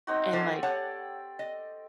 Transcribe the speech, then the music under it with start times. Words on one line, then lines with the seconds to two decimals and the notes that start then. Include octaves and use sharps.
and, like,
0.07 C4 D#4 F#4
0.33 E3 F3 A4 C5 D5 G#5
0.63 G4 C#5 F#5 A5
1.39 D#5